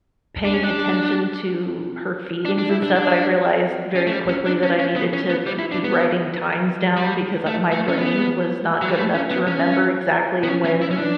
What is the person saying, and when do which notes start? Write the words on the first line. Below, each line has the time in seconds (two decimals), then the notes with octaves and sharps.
paying attention to her feedings and stuff, I realized very quickly that I needed to be writing times down because, uh, my brain was not good enough to remember exactly when
0.45 D4
0.54 C#4
0.63 D4
2.45 D4
2.58 D4
2.71 E4
2.83 D4
2.96 D4
3.96 C#4
4.07 A3
4.12 G3
4.29 C#4
4.46 D4
4.63 C#4
4.79 C#4
4.96 B3
5.13 C#4
5.30 B3
5.46 G3
5.59 E4
5.72 D4
5.84 B3
6.97 G3
7.47 A3
7.72 A3
7.89 C#4
7.98 B3
8.82 F#3
8.90 G3
8.98 A3
9.15 C#4
9.31 B3
9.48 C#4
10.44 B3
10.48 C#4
10.65 C#4
10.82 E4
10.91 C#4
10.99 D4